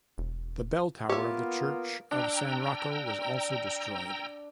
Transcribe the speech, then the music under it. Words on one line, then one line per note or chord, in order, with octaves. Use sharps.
The bell tower of the church of San Rocco was also destroyed.
E1
A#3 B3 F4 G4 A#4 C#5 E5
D4 G5 A#5 E6